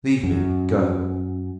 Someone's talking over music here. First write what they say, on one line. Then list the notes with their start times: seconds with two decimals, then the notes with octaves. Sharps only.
"Leave me--go!"
0.24 F#2